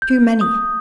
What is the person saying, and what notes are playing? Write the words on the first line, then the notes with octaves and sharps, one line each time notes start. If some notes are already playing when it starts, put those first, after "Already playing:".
Too many.
G6
D#6